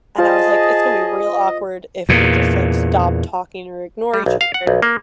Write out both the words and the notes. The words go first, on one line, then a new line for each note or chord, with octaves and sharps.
and I was like, "It's gonna be real awkward if we just, like, stop talking or ignore each other."
F4 G#4 C5 D#5 A5
E2 A#2
G3
B1
F5
F#5
B1
A#3